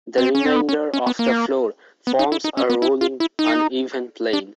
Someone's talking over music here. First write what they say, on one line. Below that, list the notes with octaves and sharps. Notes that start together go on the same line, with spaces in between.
The remainder of the floor forms a rolling, uneven plain.
C4
C#4
C4
B3
C#4
C#4
B3
A#3
B3
D#4
E4
D#4
C#4
B3
E4
F4
E4
D#4
D4